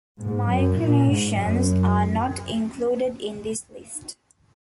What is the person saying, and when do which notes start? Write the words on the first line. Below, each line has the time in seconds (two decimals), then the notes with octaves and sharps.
Micronations are not included in this list.
0.22 G#2
0.50 F#2
0.79 A#2
1.08 G#2
1.37 F#2